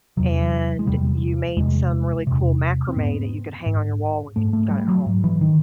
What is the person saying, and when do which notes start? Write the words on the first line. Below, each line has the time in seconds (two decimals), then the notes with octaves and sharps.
and you made some really cool macrame that you could hang on your wall when you got at home.
0.17 E2 C3 F#3
0.79 G#3
0.86 E2 C3 G3
1.56 E2 C3 G#3
2.27 E2 C3
2.88 C4
2.96 G#2 B3
3.66 G#2
4.36 G#2 A3
4.53 A3
4.71 G3
4.88 F#3
5.06 G#2
5.24 E3
5.41 D#3